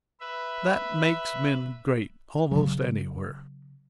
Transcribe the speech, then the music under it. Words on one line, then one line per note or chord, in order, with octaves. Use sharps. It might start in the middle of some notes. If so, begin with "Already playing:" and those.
That makes men great almost anywhere.
B4 E5
C#3 F#3